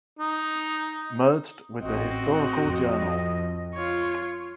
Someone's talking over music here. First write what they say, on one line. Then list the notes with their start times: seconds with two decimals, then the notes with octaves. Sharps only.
Merged with the "Historical Journal".
0.19 D#4
1.82 A1 C4 F#4 D#5
2.63 F2
3.74 F4 C#5